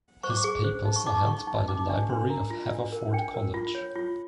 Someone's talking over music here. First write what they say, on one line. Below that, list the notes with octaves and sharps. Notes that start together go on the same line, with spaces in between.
His papers are held by the library of Haverford College.
C5 C#6
D6
C#6
G#4
C5
D#4
C#6
D#4 D6
D#4 C#6
D#4
D#4 D6
D4 C#6
D4 C6
A#4 A#5
F4
D4
A#4
D4 G5
A#4
F4
C#5
F4